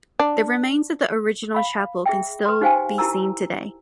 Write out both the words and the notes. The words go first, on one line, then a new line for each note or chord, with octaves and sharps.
The remains of the original chapel can still be seen today.
D4
F5 B5
G#4 E5 G5
B4 C6
D#4 G4 C5 F5 G5 G#5
E4 G4 A#4 A5 A#5 E6